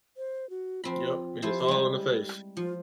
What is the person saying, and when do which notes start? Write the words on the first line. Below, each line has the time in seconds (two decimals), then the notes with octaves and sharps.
Yep, and it's all on the face.
0.17 C5
0.50 F#4
0.84 F2 C4 F4 B5
1.42 F3 E4 G4 C5
1.68 G3 G#3
2.57 F3 F4